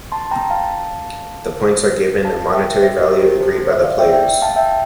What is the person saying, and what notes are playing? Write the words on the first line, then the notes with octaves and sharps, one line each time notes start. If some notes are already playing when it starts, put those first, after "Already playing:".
The points are given a monetary value agreed by the players.
A5 C6
G5 A#5
F5 A5
F5 A5
E5 G5
C5 E5
G4 A#4
G4 A#4
A4 C5
A4 C5
C5 E5
D5 F5
E5 G5
E5 G5
F5 A5
E5 G5